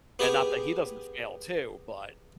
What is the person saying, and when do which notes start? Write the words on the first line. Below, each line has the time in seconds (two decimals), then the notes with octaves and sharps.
and not that he doesn't fail too, but
0.19 B3 G4 G#4 G5 G#5